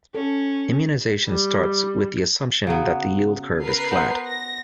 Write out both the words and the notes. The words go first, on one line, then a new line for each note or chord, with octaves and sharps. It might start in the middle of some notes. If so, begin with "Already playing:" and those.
Immunization starts with the assumption that the yield curve is flat.
C#4 A4
G3
C#3 F#3 B3
A#4 B4 C7
B3 C5 F#5
A#6